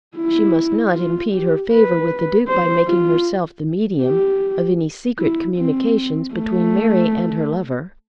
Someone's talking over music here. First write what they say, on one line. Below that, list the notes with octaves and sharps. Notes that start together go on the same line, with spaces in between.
She must not impede her favour with the Duke by making herself the medium of any secret communications between Mary and her lover.
E4
F4
G4
B4
C5
F4
G4
E4
C4
A3